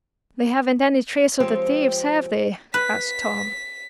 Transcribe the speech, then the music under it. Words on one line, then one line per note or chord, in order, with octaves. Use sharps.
"They haven't any trace of the thieves, have they?" asked Tom.
F3 G#3 C4 G4 C#5
B4 B6